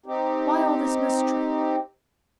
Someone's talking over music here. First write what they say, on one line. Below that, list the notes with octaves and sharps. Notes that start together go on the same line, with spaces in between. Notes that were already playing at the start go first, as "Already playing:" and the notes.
Why all this mystery?
C4 D#4 G4